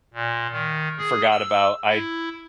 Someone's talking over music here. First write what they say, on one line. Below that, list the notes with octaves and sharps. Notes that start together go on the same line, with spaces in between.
forgot about I
A#2
D#3
G#4
E6
E4